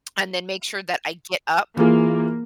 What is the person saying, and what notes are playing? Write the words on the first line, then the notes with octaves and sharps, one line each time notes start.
and then make sure that I get up
E3 A#3 F4 G#4